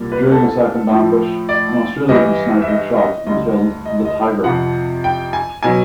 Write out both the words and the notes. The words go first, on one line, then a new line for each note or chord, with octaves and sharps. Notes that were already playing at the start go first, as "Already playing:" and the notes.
During a second ambush, an Australian sniper shot and killed the "Tiger".
Already playing: C2 A#2 G3
B4
A4
A2 F3
D5
G2 E3 G3 D#5
E5
D#5
D#5
D2 D3 G3 D#5
D#5
D#5
F2 C3 F3 F#5
G5
G#5
B2 F#3 G#5